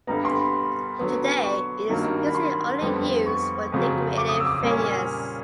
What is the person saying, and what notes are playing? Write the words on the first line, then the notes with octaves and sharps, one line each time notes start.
Today, it is usually only used for decorative veneers.
G2 D3 G3 B3 A#5
C6
B5
D3 F#3 B3
C#6
G2 D#3 F#3 A#3
B5
C6
F2 D3 G3 B3
C#6
F2 C#3 F#3
D6
D#6
E6
D6
D#6
A#2 G3 A#3 C#4